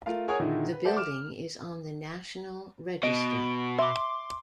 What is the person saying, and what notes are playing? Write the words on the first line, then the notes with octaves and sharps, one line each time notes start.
The building is on the National Register.
A3 F4 A#4 F5
G#4 A#4 C#5 F#5 G#5 D#6
A#2 D3 D#3 D#4 E4 G#4
B4
A4 C5 D5 E5 F#5
D6 F6 E7
B2 D#5 D7
E5 C6 D6